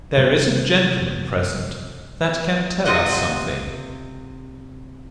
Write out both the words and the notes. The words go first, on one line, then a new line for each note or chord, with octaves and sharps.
There is a gentleman present that can tell us something.
C3 G3 C4
C3 C4 F4 D#5 F#5